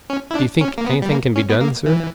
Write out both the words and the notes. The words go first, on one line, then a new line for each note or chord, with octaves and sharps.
"Do you think any thing can be done, sir?"
C#4
E4
D4
C#4
A#3
B3
G3
A#3
C#4
B3
A#3
E3